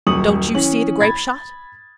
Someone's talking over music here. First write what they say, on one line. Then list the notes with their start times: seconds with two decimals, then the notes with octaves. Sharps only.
"Don't you see the grape-shot?"
0.07 D#1 F#2 C#6 D#6 F#7
0.54 E3 C#4 F#7
1.01 B5 G#6 A6